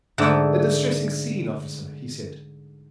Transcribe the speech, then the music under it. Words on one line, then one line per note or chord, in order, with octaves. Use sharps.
'A distressing scene, officer,' he said.
G#2 D3 A3